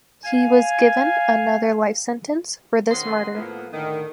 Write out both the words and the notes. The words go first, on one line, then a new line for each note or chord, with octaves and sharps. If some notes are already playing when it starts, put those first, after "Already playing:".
He was given another life sentence for this murder.
F5 G#5
D#3 C#4 G#4 F#5 C6
A2 F3 A#3 B3
A2 D3 D#3